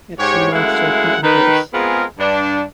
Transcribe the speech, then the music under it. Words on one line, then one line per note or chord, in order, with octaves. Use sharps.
Epson Master Printing Course.
G#2 G4 C#5
F#2 G#3 A3 E4 F5 F#5
D#3 B4
G#3 B3 C4 F4 G#4 A#4
G2 D4